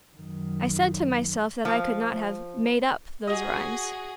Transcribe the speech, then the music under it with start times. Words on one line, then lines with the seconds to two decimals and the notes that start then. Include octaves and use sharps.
I said to myself that I could not have "made up" those rhymes.
0.17 F#2 D#3
1.65 F3
3.27 F#4 G#4 D#5